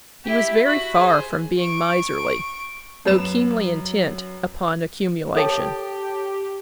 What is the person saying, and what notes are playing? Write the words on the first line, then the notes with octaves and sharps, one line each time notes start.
He was very far from being miserly, though keenly intent upon accumulation.
E4 G4
F#4 B5
G#4 C5
C#6 D7
F#2 B4 E7
G4 A4 C#5 G5 A5